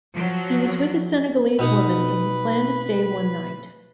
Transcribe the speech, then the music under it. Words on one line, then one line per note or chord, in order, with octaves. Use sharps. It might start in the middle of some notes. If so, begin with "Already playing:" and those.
He was with a Senegalese woman and he planned to stay one night.
F3 F#3
B2 D#4 B4 F#5